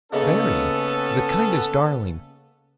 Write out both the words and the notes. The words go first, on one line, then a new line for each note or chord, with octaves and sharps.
'Very--the kindest darling.
C#3 A#3 B3 C#4 D#4 A4